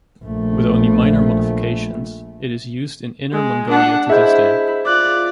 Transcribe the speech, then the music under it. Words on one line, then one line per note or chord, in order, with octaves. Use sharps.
With only minor modifications, it is used in Inner Mongolia to this day.
A#1 A3
G#3
D4 F#5
E4 G#4 C5 D#5 E5 G6
F4 D5 D6 F#6 F#7